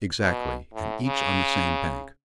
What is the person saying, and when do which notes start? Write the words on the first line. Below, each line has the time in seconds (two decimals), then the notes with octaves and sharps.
"Exactly, and each on the same bank."
0.21 B2
0.74 A2
1.03 C#3